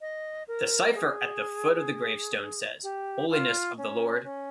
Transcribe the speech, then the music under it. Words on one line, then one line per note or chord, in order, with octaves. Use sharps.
The cipher at the foot of the gravestone says "Holiness of the Lord".
D#5
A#4
G#4
G4
F4
C#4
C#4